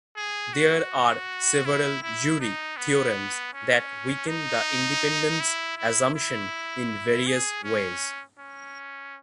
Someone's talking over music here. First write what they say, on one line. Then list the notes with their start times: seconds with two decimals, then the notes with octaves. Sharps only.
There are several jury theorems that weaken the Independence assumption in various ways.
0.16 G#4
0.54 F#4
1.65 E4
2.03 E4
2.40 D#4
2.77 B3
3.53 C#4
4.28 D#4
5.40 E4
5.77 E4
6.15 E4
7.27 G#4
7.64 C#4
8.39 C#4